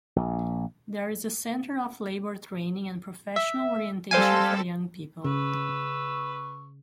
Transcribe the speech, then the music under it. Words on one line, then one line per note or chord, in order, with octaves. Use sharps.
There is a center of labor training and professional orientation for young people.
A#1
E5
G3 C4 A4 C5 F5 G#5
C#3 B4 C#6 E6